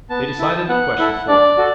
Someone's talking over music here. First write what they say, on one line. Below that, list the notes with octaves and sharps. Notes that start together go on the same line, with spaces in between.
They decided the question for him.
B3 A5
E4 A4
B3 F#5
E4 A4
D4 D5
F#4 A4